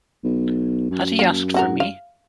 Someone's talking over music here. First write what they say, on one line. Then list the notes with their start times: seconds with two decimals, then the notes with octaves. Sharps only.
Has he asked for me?
0.24 B1
0.90 F#2
1.19 A#3
1.54 C4 F#4 A#4
1.80 F5